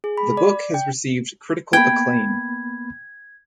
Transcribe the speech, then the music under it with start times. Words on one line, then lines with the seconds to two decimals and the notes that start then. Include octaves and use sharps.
The book has received critical acclaim.
0.04 G#4
0.18 B5
0.37 D5
0.74 G5
1.73 A#3 B3 G5 B5 G#6